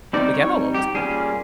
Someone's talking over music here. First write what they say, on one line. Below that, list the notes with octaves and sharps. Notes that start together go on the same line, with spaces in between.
The camo almost did.
G3 C4 D#4 D5
C#5
G4
G3 A#3 C#4 F4 G#4